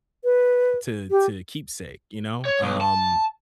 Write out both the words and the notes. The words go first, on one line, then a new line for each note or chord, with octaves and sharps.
to to keepsake, you know? Um
B4
G4
C#5
B1
A5